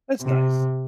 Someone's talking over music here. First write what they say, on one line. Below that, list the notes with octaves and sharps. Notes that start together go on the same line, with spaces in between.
That's nice.
C3